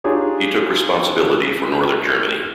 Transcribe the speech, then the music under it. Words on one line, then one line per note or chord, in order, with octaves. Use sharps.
He took responsibility for Northern Germany.
D4 D#4 F4 G4 G#4 C#5